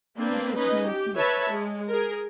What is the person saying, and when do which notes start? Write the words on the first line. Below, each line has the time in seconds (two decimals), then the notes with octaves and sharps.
Mrs. Dean came.
0.17 A#3 C4 D4 B4
0.57 C#4 D#4 B4 D#5
0.85 G4
1.16 B4 C#5 E5 A5 B5
1.51 G#3
1.89 G#4 A#4